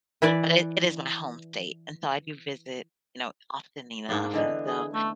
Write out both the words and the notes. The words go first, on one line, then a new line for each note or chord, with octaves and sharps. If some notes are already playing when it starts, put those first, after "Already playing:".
but it it is my home state, and so I do visit, you know, often enough, and so,
E3 E4 B4 D5
G#2 A#3 D4
D3 E3 B3 D5 D#5 G#5
G#4
A3 C#4